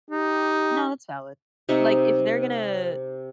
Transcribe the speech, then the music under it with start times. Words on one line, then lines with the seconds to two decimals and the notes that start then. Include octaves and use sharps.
No, that's valid. Like, if they're gonna
0.11 D#4 G4
1.69 C3 D#4 E5 C#6